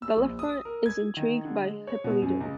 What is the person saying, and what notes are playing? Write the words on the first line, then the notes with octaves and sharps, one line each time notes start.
Bellafront is intrigued by Hippolito.
E6
A#1
D#6
A#4
G#6
D#3
D3
G#3
C#5
B2
F#2
C#2